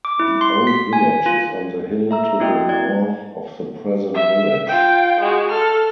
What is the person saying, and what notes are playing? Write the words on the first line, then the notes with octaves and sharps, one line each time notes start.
The old village is on the hill to the north of the present village.
D6
E4
C6
B6
G#5
F4
E5 A#5 E6
A#3 C4 E4 F#4 D#5 G5
E4 D5 G#6
E5
F4 G5
G#3 F#4
A4 F6